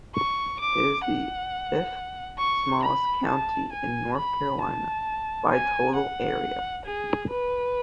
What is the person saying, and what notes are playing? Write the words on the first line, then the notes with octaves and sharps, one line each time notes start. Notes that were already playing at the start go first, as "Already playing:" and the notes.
It is the fifth-smallest county in North Carolina by total area.
C#6
D6
F#5
C#6
B5
A5
G#5
B5
A5
G#5
F#5
G#4
B4